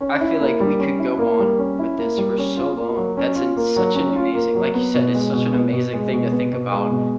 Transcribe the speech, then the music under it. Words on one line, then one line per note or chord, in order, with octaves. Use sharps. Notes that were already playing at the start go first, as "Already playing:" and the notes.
I feel like we could go on with this for so long. That's an such an amazing like you said, it's such an amazing thing to think about,
C#4
E4
A#3
G3
C#4
E4
A#3
G3
C#4
E4
A#3
G3
C#4
F4
A#3
F#3
C#4
F4
A#3
F#3
C#4
F4
A#3
F#3
B3
B2
G#3
B2
B3
B2
G#3
B2
B3
B2
G#3
B2